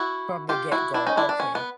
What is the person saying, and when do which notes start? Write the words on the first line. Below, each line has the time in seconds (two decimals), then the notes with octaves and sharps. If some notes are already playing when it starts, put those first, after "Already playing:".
From the get-go, okay.
Already playing: E4 F#4
0.49 F4 G4
0.72 E4 F#4
0.94 D4 E4
1.07 C#4 D#4
1.17 D4 E4
1.29 D4
1.40 C#4
1.55 B3